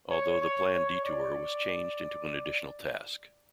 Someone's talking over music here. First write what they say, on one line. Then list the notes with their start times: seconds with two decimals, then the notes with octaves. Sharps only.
Although the planned Detour was changed into an additional task.
0.10 C#5
0.42 C#5
0.73 C#5
1.04 D5